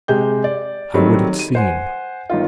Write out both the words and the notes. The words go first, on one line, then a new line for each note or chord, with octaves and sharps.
How would it seem?
C3 G#3 G4 G6
D5
D#3 F#3 G3 A3 C4
D#7
C5 F#5 G#5
G1 D#3 F4